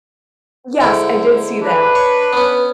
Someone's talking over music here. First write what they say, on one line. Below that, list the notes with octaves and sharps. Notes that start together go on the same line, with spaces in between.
Yes. I did see that
G#2 D3 E4
D4 B4
C#5
B3 C#4